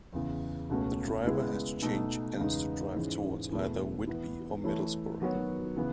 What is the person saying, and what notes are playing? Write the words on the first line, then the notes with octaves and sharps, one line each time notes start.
The driver has to change ends to drive towards either Whitby or Middlesbrough.
E2 C#3 E3
C#2 B2 A3 C#4 F#4
C#3 G#3 B3 E4 G#4
B2 A3 D#4 A4
E2 C#3 G#3 B3 D#4
G#2 E3 G#3 C#4 G#4
E2 B2 A3 E4 G#4
E3 B3 E4
E3 A3 E4 A4 C#5
D#3 F#3 B3 F#4 C#5
C#3 E3 B3